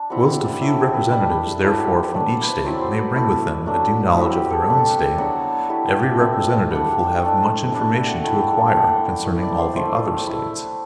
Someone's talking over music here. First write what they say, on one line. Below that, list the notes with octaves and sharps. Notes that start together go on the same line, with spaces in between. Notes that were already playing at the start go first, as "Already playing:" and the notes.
Whilst a few representatives, therefore, from each State, may bring with them a due knowledge of their own State, every representative will have much information to acquire concerning all the other States.
Already playing: D4 A5
G3 C4 E4 F#5
E5
D5
F#3 A3 E4 E5
G5
B4
G3 D4 B4
F#3 A3 E4
G4
B4
F#3 A3 D4 B4
D5
B4 C5
F#3 C4 E4 D5
D5
C5
B4
A3 E4
F#3 A3 D4
F#3 C4 E4 F#4
G4
G4
A4
A3 D4 G4
A4
G4
F#3 B3 D4 F#4
A3 E4 G4
D5
E5
A3 C4 E4 E5
E5
G3 D4 F#5
G5
G5
A3 D4 G5
G3 D4 A5
E5
F#5
A3 E4 G5
A5
A5
G5
A3 D4 F#5
G5
A3 E4 E5
D5
C5
A3 E4 C5
A3 E4